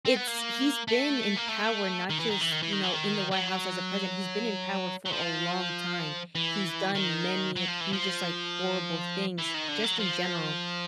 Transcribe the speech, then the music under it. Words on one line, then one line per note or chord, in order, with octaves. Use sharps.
it's he's been in power not just, you know, in the White House as a president. He's been in power for a long time. He's done many egregious, like, horrible things, just in general.
C4
B3
A#3
A3
A#3
A3
D#3
E3
D#3
E3
D#3
E3
D#3
E3
D#3
F#3
F#3
F3
E3
D#3
F#3
F3
E3
F3
E3
D#3
D3
F#3
F3